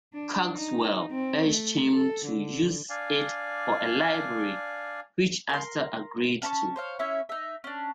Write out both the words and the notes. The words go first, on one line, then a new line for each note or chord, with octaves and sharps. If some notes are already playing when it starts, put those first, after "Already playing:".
Cogswell urged him to use it for a library, which Astor agreed to.
D4
D#4
C4
A3
A4
D3
D4 D5 F5 G#5
A#4 C6
C#4 A5 B5 C#6
C5 C#5 F5
C#4 E4 C#5 E5
D#4 E5
C#4 D4